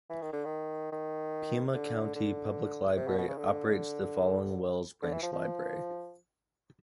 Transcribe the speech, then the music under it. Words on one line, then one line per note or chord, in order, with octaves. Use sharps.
Pima County Public Library operates the Flowing Wells Branch Library.
E3
D#3
D3
D#3
D#3
D3
D3
C3
B2
B2
C#3
D3
D3
E3
F3
F3